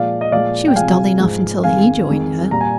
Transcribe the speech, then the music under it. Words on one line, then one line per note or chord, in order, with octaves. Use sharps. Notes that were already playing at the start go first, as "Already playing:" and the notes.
She was dull enough until he joined her.
Already playing: A#2 F3 G#3 D5 F5
D#5
A#2 F3 G#3 D5 F5
G5
C3 F3 G#3 F5 G#5
G#2 F3 G#3
F2 D#3 G#3 F5 G#5
F2 D#3 G#3
A#2 G3 A#5
G#5